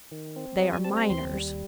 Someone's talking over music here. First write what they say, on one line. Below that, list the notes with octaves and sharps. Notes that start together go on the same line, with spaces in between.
They are miners.
D#3
C4
G3 D#5
G#5
C4 A5
A#5
D#2 C6
G3